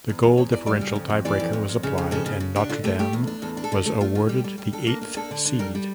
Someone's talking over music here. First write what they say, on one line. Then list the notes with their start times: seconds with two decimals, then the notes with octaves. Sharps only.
The goal differential tiebreaker was applied and Notre Dame was awarded the eighth seed.
0.09 E2
0.23 E2
0.37 E2 C#5
0.52 E3 D5
0.66 G3 D5
0.81 C#3
0.96 F2
1.10 F2
1.25 E3 D5
1.40 F2
1.53 F2
1.69 F2
1.83 C#3
1.98 F2
2.11 C#3 A4
2.26 C#3
2.40 C#3
2.56 D4 G4
2.69 D3 F4
2.84 A3 G4
2.99 A3 G4
3.13 E2
3.27 D4
3.42 E2 A4
3.57 D4
3.64 A4
3.72 D3
3.85 A3 A4
4.01 A3 F4
4.15 D3 F4
4.29 G3 G4
4.44 G3
4.58 G3
4.73 D4 A4
4.87 A#3
5.02 A#3
5.16 D4 A4
5.31 D3
5.45 D4
5.59 G3 A#4
5.75 G3